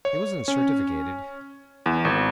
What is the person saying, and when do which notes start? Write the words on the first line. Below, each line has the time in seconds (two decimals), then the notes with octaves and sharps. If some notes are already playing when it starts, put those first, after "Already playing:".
He wasn't certificated.
0.05 C#5
0.48 C#4
1.86 E2
2.05 G#1